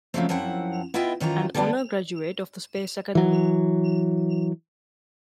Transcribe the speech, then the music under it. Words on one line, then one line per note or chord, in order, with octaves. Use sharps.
An honor graduate of the Space Academy.
C#3 F3 F#3 G#3 A3 C4
F#2 F3 C4 E4 F#5
B3 E4 F4 D#5 E5 G5
F#2 D#3 E3 F4 A#5
D3 G3 B3 C#4 D4
E3 F#3